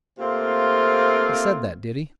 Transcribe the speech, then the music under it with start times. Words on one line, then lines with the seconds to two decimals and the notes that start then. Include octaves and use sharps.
"He said that, did he?"
0.17 C3 A3 A#3 C4 F4